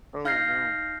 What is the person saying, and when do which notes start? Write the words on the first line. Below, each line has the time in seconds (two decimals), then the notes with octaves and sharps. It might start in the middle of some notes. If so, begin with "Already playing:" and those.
Oh, no.
0.25 D#4 F5 F6 G6 A#6 C7